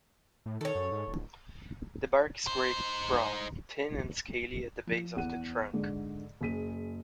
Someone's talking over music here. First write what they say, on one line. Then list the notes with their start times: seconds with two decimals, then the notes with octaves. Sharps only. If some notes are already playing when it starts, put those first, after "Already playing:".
The bark is grey-brown, thin and scaly at the base of the trunk.
0.46 A2
0.61 D#3 A4 C#5
0.75 F#2
0.92 G#2
1.07 D1
2.47 D#4 C5
4.87 F3
5.16 E2 F#5 D#7
5.73 G#2 D3
6.41 F#1 G#4 B6 D#7